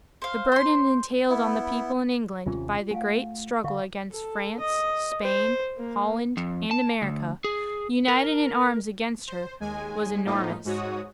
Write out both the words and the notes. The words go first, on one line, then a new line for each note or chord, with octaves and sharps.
The burden entailed on the people in England by the great struggle against France, Spain, Holland, and America, united in arms against her, was enormous.
C5 F5
C5 C6
B3 E4
D#2 C3 C#4 F4 G#4
A3 F5 F#5 G#5
D3 E5 F5 C#6
A4
D#5
C5
A#3
F2
A5
D2
G#4
A#4
C5
D#2 G#3 G#5
A2 F3 A#3 B3 D#4 F4
G#2 F#4 C#5 D#6